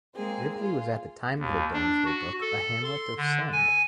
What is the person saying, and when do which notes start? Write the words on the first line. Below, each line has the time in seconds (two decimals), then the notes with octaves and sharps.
Ripley was at the time of the Domesday Book a hamlet of Send.
0.15 G#3 A#3 C4 G#4
0.55 F4 G#4
1.39 D#2
1.73 D4
2.05 F#4
2.41 A4
2.84 C6
3.17 D3
3.52 G#5